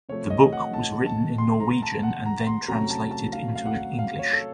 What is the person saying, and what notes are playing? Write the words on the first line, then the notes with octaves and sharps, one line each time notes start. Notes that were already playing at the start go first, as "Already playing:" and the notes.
The book was written in Norwegian and then translated into English.
C3 F3 A3 C#5
D#5
F#5
A5
A5
C6
A#5
A5
F#5
A#5
C6
C3 F#3 A3 C#4 A#5
A5
A5
F5
F5
F#5
F5
C#5
A4